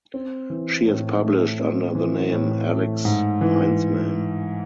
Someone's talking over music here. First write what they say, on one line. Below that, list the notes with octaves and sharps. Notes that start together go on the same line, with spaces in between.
She has published under the name Alix Heintzman.
C4
E3
A2
A3
C4
E3
A2
A3
G#2
E3